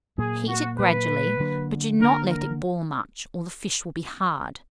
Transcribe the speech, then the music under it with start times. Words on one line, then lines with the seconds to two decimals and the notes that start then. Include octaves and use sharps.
Heat it gradually, but do not let it boil much, or the fish will be hard.
0.18 A#2 F#3 A#3 G#4
0.47 F#4
0.78 A#2 F#3 A#3 B4
1.40 D3 F#3 A#3 D4
2.00 D3 F#3 A#3 D4 A#4
2.30 A#4